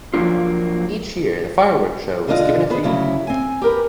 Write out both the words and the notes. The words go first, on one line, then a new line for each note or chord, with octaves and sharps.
Each year, the fireworks show is given a theme.
F3 F#3 G#3 A#3 D4 F4
B2 D3 A#3 D4 F4 D#5
B3 G#4 B4 C5
D2 C#3 F#3 E4
C4 G#5
G4 A#4 B4